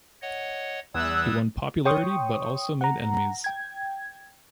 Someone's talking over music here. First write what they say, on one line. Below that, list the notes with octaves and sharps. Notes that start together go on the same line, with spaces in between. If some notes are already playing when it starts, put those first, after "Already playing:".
He won popularity but also made enemies.
C#5 D#5 F#5
E2 G3 D#6 E6 F#6 G#6
C#5 G5 C6 C#6 D#6
F#5 A#5
G5 G#6